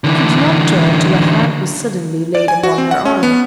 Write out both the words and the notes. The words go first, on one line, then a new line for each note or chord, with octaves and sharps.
She did not turn till a hand was suddenly laid upon her arm.
D3 E3
D5
G#5
F#4
C4
F#5
C#4
B3